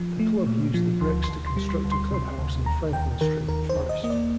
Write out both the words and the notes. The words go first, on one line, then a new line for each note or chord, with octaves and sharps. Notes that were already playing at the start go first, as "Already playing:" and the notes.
The club used the bricks to construct a clubhouse in Franklin Street, Forrest.
Already playing: F3
A3
A#2
F3
D2 C6
C6
D2
C6
G3
C6
D2
C6
C3 C6
D2
D#2 A#5
D#2 G5
D#3 A#4
D#2 A#4
C5
D#2
D#5
A#3 D#5
D5